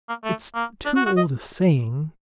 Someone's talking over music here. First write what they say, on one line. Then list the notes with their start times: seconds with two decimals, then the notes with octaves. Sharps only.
It's too old a saying.
0.09 A#3
0.24 A3
0.55 A#3
0.86 D4
0.96 F#4
1.06 F#4
1.16 D#5